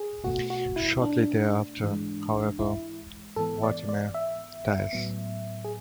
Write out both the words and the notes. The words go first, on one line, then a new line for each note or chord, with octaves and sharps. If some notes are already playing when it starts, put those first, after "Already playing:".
Shortly thereafter, however, Vortimer dies.
Already playing: G#4
B2 A3 F#4
F#4
E4
D4
G#2 E3 G#3
E4
G#2 E3 B3 A4
D5
D5
E5
A2 F#3 B3
G#4